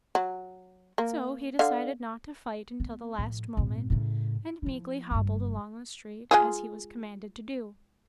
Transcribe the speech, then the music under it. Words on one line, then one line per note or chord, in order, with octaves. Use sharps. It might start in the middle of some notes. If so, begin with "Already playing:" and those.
So he decided not to fight until the last moment, and meekly hobbled along the street, as he was commanded to do.
F#3
A#3
D3 F5
B3
A2 F3
G#1 A#2
A2 C#3
F3 E4
F#1 G2
G#3 F4 G#4